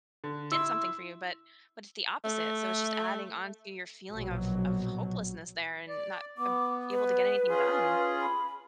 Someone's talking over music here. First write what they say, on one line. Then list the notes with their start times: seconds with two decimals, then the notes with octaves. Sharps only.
did something for you. But but it's the opposite. So it's just adding onto your feeling of of hopelessness there and not ab able to get anything done.
0.24 D3
0.52 E4 C6 E6
2.24 A3
4.10 A#1 B2 F#3
5.88 D5
6.38 B3 D6
6.91 B4
7.48 C#4 F4 G#4
8.21 B5